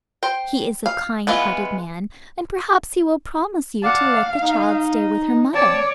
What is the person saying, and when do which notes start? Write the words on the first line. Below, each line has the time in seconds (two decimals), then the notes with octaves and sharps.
He is a kind-hearted man, and perhaps he will promise you to let the child stay with her mother.
0.23 C5 G5
0.86 F5
1.27 E3 G#3 B3 F4
3.83 D5 F5 F#5 A5
4.42 D#4
5.54 C4 C#5 D5 A5